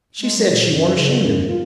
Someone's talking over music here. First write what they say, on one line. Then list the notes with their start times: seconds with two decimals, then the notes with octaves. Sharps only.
She said she warn't ashamed of me.
0.21 G#3
0.37 F#3
0.50 A#2
0.71 F#2
0.96 C#3
1.20 F#2
1.48 F4